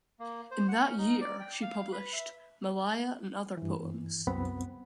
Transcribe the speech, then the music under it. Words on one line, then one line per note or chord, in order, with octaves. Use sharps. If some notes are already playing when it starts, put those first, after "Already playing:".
In that year, she published "Melaia and other Poems".
A#3
C5
F#5
C#4
D#4
D5
G5
F5
B4
E5
G2 E3
C2 F#2 B3 C4 F#5 B5